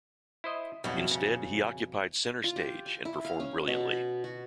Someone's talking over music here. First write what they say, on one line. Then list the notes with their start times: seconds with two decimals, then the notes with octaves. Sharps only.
Instead, he occupied centre-stage and performed brilliantly.
0.44 E4 C5 D#5
0.84 F2 B2 F#3 G3 E4
1.11 C#3
2.44 F4
2.56 G4
2.86 G#5
3.05 E4
3.25 F5
3.40 C#4
3.68 B2
3.91 B5
4.24 F#4